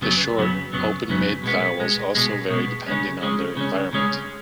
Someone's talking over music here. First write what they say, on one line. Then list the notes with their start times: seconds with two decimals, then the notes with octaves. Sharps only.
The short open-mid vowels also vary depending on their environment.
0.01 F#2 C#3 F#3 B3
0.37 F#2 C#3 F#3 B3
0.73 F#2 C#3 F#3 B3
1.09 F#2 C#3 F#3 B3
1.44 B2 G#3 B3
1.79 B2 G#3 B3
2.15 B2 G#3 B3
2.50 B2 G#3 B3
2.87 C#3 G#3 C#4
3.22 C#3 G#3 C#4
3.57 C#3 G#3 C#4
3.93 C#3 G#3 C#4